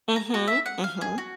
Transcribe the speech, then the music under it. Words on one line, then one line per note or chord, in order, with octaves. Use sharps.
Mhm, mhm.
A#5
F#4
E5
F#5
F5
G#4
F#4